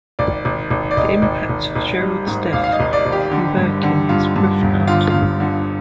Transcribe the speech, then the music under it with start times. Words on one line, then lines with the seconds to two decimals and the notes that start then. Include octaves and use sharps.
The impact of Gerald's death upon Birkin is profound.
0.19 G#1 D5
0.45 G#1
0.71 G#1
0.91 D5
0.97 G#1 D#5
1.22 G#1
1.49 G#1
1.76 G#1
2.00 G3
2.27 G#2
2.53 G#1 F5
2.64 F5
2.72 D#5
2.80 G#1
2.93 D5
3.06 G#1
3.12 G4
3.31 D3
3.57 G2
3.83 D3
4.09 G2 F4
4.36 G2
4.62 G1
4.87 D3 F4
5.10 G2 F4
5.40 D3